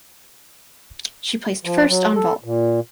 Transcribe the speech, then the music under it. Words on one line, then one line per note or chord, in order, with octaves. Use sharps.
She placed first on vault.
F3
F#3
A4
A#2